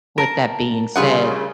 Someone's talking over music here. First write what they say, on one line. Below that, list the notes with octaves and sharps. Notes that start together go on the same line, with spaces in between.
with that being said,
A#4 A5
D2 C#3 G3 F4 G#4 F#5